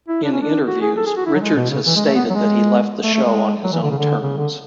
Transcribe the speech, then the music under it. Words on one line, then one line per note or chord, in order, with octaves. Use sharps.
In interviews, Richards has stated that he left the show on his own terms.
E4
D4
C#4
D4
F#4
G#4
A4
G#4
F#4
E4
F#3
G#3
B2
C#3
E3
G#3
A3
B3
F#3
G#3
A3
A3
G#3
F#3
E3
D3
C#3
D3
C#3
D3